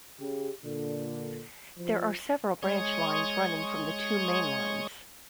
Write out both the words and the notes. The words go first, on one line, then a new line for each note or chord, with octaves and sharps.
There are several branch lines running from the two main lines.
C#3 G4
A#2 D3
F3
G#3 C#5 C#6 D#6